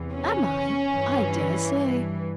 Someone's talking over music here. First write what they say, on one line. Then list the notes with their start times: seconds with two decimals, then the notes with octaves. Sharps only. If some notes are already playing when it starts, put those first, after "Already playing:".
'Am I? I dare say.
Already playing: E2 C3 E3
0.14 C#4
0.93 G2 E3